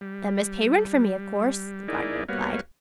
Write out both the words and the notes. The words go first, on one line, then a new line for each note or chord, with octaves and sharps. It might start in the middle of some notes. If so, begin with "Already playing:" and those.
"Them as pay rint for me, a course!" the Gardener replied.
G3
D#4 E4 G#4 A#4 D5
G3 A#3 B3 F#4 C#5 F5